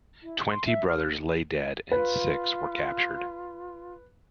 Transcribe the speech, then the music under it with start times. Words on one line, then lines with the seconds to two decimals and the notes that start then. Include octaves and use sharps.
Twenty brothers lay dead and six were captured.
0.23 E4
0.50 C6
0.66 E5
0.88 F6
1.92 F4 B4